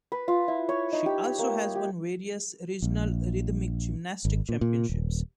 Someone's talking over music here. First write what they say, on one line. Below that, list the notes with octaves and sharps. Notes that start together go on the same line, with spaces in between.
She also has won various regional rhythmic gymnastics championships.
B4
F4
E4
C#5
D#4
G4
A#3
G4
A#1
G#1
A#2
A#2
D#1